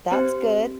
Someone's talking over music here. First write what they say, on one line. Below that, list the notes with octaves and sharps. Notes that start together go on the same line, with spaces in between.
That's good.
C4 G4 C5